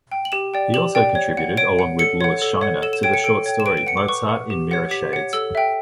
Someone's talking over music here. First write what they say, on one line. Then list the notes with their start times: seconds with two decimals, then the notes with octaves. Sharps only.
He also contributed, along with Lewis Shiner, to the short story "Mozart in Mirrorshades".
0.12 G5
0.25 F#7
0.32 G4 E7
0.54 D5 G5
0.74 G4 F#7
0.95 D5 G5
1.15 C#5
1.37 F#5
1.57 C#5 D7
1.79 F#5
1.99 A4 C#7
2.21 C#5 F#5
2.42 A4
2.61 C#5 F#5
2.82 A4 E7
2.93 E7
3.03 C#5 G5 D7
3.14 C#7
3.24 A4 D7
3.46 C#5 G5
3.60 E7
3.66 B4 D7
3.77 D7
3.87 F#5 C#7
3.97 D6
4.08 B4 C#6
4.29 F#5
4.50 G4
4.71 C#5 F#5
4.91 G4 B6
5.13 C#5 F#5
5.33 A4 E6
5.55 E5 G5